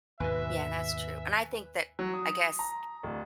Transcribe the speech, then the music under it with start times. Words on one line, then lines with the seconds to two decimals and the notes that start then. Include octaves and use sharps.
Yeah, that's true. And I think that, I guess,
0.20 D#2 G#2 B2 B4 E5 G#5
1.99 F#3
2.14 D#6
2.59 A#5
3.03 D1